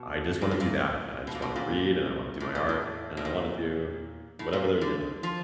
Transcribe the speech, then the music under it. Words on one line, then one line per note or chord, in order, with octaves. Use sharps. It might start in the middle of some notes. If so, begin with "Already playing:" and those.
I just wanna do that, and I just wanna read, and I wanna do my art, and I wanna do whatever they're doing.
Already playing: B2
A#2
A2
A#2
B2
A#2
B2
A#2
A2
A#2
A2
B2
A#2
A2
A#2
D3
F3